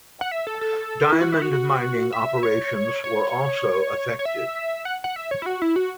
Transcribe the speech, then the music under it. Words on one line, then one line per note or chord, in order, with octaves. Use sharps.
Diamond mining operations were also affected.
F#5
E5
A4
A4
E4
F#4
E4
F#4
F#4
E5
C#5
C#5
C#5
E5
F#5
F#5
E5
C#5
E4
F#4
E4
F#4